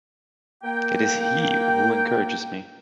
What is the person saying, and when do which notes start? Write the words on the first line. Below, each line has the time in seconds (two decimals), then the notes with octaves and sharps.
It is he who encourages me.
0.64 A#3 G5